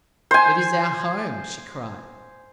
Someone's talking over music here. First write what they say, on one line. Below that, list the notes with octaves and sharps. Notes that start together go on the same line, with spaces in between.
"It is our home!" she cried.
C5 G#5